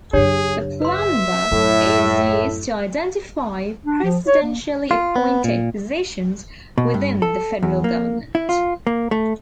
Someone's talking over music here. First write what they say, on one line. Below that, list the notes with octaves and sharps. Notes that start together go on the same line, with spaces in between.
The Plum Book is used to identify presidentially appointed positions within the federal government.
F#2 C#3 D4 G4 G#4 C#5
B4 E5 C6
F#2 A2
D4
F3
C#5
A#3
F4
B3
A#2
B2
G2
A4
E2
A#3
E4
F4
A#3
A3